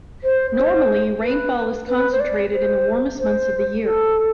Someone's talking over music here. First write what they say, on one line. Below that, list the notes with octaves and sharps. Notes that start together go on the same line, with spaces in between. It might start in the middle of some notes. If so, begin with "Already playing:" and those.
Normally, rainfall is concentrated in the warmest months of the year.
C5
C5
B4
B4
C5
D5
C5
C5
A4